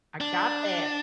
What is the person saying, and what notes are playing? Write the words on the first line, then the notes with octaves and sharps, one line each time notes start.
I got that,
D4